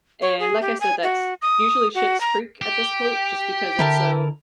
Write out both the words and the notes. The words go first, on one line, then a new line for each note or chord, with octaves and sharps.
And like I said, that's usually Schitt's Creek at this point just because it's so
C#5
G#4
G4
G#5
F#4
D#6
F#4
A#5
G4
D3 E4 A#4 A5